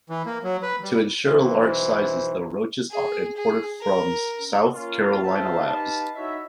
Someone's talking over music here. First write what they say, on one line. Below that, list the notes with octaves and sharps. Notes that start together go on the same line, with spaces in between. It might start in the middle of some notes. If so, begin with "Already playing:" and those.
To insure large sizes the roaches are imported from South Carolina labs.
E3
A#3
F#3
B4
G3
B1 E3 C5
G#4
G#4
A#4
A#3 C#4 F4 F5
C#3 F4 C5 E5 F5 A5
D#4 G4 B4 F5 A5
D#4 E4 F#4 C#5 E5